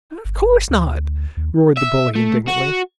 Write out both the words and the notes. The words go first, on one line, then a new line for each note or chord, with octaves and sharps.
"Of course not," roared the bully, indignantly.
G1
D2
D#2
E5
A3
F#4